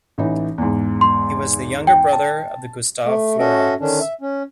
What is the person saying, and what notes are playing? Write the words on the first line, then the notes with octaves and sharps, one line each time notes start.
He was the younger brother of Gustave Flourens.
A1 E3 D#4
E2 G#2
C6
G5
A5
A3
C#4 F#4 A4 D#5 E5
D3 D#3 C#4 D4
E5
C#4